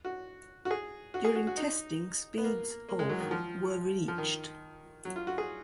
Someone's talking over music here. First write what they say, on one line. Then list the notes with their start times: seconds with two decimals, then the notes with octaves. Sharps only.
During testing speeds of were reached.
0.05 F#4
0.65 F#4
0.71 G#4
1.14 F#4
1.24 G#4
1.35 F#4
1.47 F#4
1.57 D#4
2.38 B3
2.44 A#3
2.89 A#3
2.99 G#3
3.09 F#3
3.20 D#3
3.31 F3
4.08 F3
4.18 D#3
5.05 F#3
5.16 F4
5.27 F#4
5.38 G#4